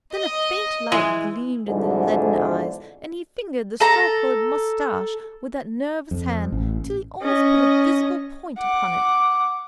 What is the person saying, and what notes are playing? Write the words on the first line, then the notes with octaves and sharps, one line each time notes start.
Then a faint light gleamed in the leaden eyes, and he fingered the straw-coloured moustache with that nervous hand till he almost put a visible point upon it.
D#5
E3 G#3
F2 G#2 B2 D3 E3
A4 A#5
F2
A1
C#4 D#5
F#5 D6